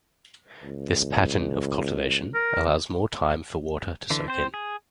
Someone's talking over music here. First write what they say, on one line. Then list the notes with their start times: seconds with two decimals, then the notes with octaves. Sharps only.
This pattern of cultivation allows more time for water to soak in.
0.63 C#2
2.34 A#4
4.10 D3 E3
4.28 C4 C5
4.54 G#4